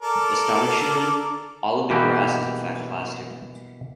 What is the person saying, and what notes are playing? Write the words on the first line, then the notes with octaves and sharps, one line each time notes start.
Astonishingly, all of the grass is in fact plastic.
A4 A#4 D5
B2 E3 A#3 F#4 G4